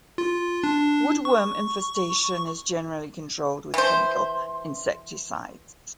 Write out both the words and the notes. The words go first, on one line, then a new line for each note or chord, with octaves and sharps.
Woodworm infestation is generally controlled with chemical insecticides.
F4
D4
C#6
E3 C5